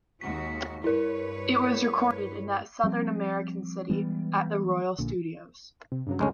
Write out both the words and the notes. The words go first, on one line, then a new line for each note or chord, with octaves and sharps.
It was recorded in that Southern American city at the Royal Studios.
D#2 G#3 F#4 B6
G2 E4 A#4 B4 C#5
F3 G3 A3 C4
E3 G3 G#3 B3
A#1 A#2 D3
C3
G2 C#3 F#3
D2 G#3 C#4